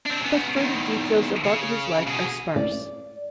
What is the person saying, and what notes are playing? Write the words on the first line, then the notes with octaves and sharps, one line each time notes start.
But further details about his life are sparse.
C4 D4
C#3 B3
E2 D#3
C#3
B2 G#4
D5